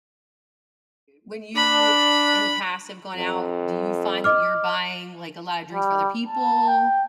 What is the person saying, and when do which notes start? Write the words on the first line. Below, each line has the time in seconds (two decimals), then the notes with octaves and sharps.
when you in the past, have gone out, do you find that you're buying, like, a lotta drinks for other people
1.56 D4 B5
3.15 F2
4.24 D#5 D6 F6
5.72 G3
6.29 A5
6.67 G5